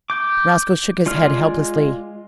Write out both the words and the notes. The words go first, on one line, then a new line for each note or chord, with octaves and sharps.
Roscoe shook his head helplessly.
D6 G6
G#3 F4 D5 F6